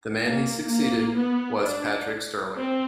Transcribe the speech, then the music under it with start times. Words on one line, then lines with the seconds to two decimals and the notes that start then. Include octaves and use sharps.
The man he succeeded was Patrick Stirling.
0.25 A#3
0.71 A#3
1.17 B3
1.63 D4
2.57 C4